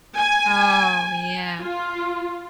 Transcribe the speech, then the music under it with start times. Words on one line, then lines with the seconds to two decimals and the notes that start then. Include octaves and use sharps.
Oh, yeah.
0.17 G#5
1.60 F4